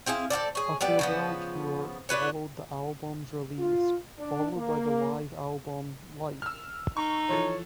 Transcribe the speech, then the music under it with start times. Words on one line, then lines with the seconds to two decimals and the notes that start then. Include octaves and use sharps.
A farewell tour followed the album's release, followed by the live album "Life".
0.06 C4 E4 G#4 F5
0.30 C4 F4 A4 D5
0.55 G#4 C#5
0.81 G3 B3 G4 D5
0.99 C#3 F3 B3
2.09 D4 E4 B4 C#5
3.59 F4
4.19 D4
4.57 A#3
6.42 E6 F6
6.97 D#4 C#6
7.29 E3 F3 A4 C#5